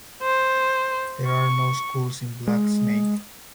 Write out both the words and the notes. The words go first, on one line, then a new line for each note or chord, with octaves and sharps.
There are no schools in Black Snake.
C5
C#6
G#3